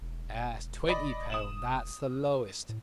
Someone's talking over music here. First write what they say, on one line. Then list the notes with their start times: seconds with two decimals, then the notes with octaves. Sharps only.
Yes, twenty pound--that's the lowest.
0.01 E1
0.88 D5 D#5 B5
1.30 D#6 E7 F#7
2.69 A2